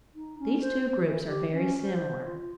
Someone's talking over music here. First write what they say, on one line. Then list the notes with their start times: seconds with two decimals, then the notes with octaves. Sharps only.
These two groups are very similar.
0.14 D#4
0.39 C#4
0.60 C5
1.00 E3
1.26 G4
1.52 C#4
1.82 C5
2.24 F4